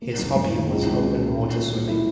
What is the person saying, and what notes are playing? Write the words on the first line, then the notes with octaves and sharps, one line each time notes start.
His hobby was open-water swimming.
A#3
F#1
F#2
D#3
C#2
C#2
B2
A#3
A#2
A#2
A#3
E4